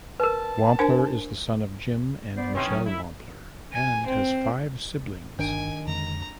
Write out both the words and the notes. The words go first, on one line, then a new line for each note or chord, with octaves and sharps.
Wampler is the son of Jim and Michelle Wampler and has five siblings.
A#4 B4 A5
D4 A#4 C5 G#5
B3 C5 D5
C3 D#3 E3 C4 C#4 C6
F#3
E4
G#5
C4
G1 D#3 D4 G#5 D7
F2 D3 G#3 A#5